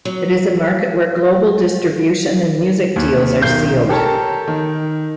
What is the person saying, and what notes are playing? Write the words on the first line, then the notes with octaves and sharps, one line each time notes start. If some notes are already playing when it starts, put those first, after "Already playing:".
It is a market where global distribution and music deals are sealed.
F#3
D#2
B1 D#3 G6 C7
G4 A4 A#4 C#5 A5
D#3